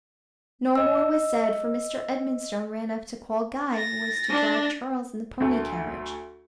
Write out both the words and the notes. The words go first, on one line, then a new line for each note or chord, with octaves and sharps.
No more was said, for Mr. Edmonstone ran up to call Guy, who was to drive Charles in the pony-carriage.
D#5 E6
A6 A#6
D4
D2 A3